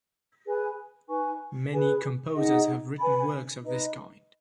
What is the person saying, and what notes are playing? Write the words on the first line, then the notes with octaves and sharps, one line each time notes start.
Many composers have written works of this kind.
G#4 B4 G#5
D#4 B4 G#5 C#6
G#4 B4 G#5
D#4 G#4 D#5 F#5
B4 G#5 B5
D#4 B4 D#5